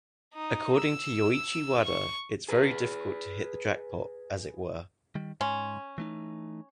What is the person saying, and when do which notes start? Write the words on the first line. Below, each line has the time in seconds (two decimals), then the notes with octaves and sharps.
According to Yoichi Wada, It's very difficult to hit the jackpot, as it were.
0.34 D#4
0.77 E6
1.84 C#6
2.48 G#4 B4
5.15 D#3 G3
5.41 G#2 C#4 C6
5.98 E3 A3 D#4